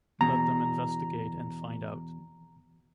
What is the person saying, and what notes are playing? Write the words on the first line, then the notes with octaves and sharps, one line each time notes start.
Let them investigate and find out.
E2 B2 A#5